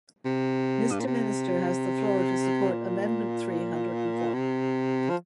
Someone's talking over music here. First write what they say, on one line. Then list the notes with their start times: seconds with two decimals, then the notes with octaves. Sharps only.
Mr Minister has the floor to support amendment three hundred and four.
0.25 C3
0.92 G2
1.00 A#2
1.07 C3
2.71 A#2
4.34 C3
5.10 F3